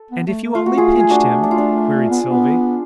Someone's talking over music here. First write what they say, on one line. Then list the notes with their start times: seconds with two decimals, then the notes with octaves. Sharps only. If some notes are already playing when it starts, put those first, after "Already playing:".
"And if you only pinched him?" queried Sylvie.
Already playing: A4
0.11 B3
0.27 A3
0.45 A3
0.55 F4
0.60 A3
0.66 F#4
0.77 F4 G#4
1.00 G#4
1.10 D4 F#4
1.43 D4
1.51 F4
1.58 D4
2.10 B3
2.30 B3